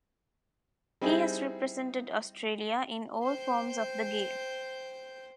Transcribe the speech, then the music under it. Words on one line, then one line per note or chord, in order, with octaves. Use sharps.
He has represented Australia in all forms of the game.
G3 C4 D#4 E4 G#4
C5 G5